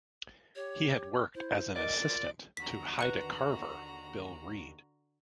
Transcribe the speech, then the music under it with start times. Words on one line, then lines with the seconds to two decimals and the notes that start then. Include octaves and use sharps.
He had worked as an assistant to Haida carver Bill Reid.
0.55 G4 C#5
1.35 E4 C5
1.76 A#4 D5 D#5
2.01 F4 A#4
2.57 D#2 D3 F#4 A#5 B6
2.99 B4 F#6 C#7